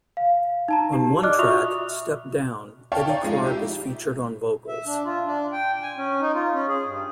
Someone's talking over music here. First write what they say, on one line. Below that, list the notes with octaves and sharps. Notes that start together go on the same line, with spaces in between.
On one track, "Step Down," Eddie Clarke is featured on vocals.
F5
D#4 A5 A#5
G4
D5 D#5 D6 F6 F#6
F4 F#4 E5 C#6 D#6 F7
C#5 D5 E5 F5 G5 A5
D#4 C#5 D5
F3 G#3 A3 F4
D#4 E4 G4
E5
D4
F4
D4
G5
G#5
C#4
D#4
F4
C#4
G#4
G2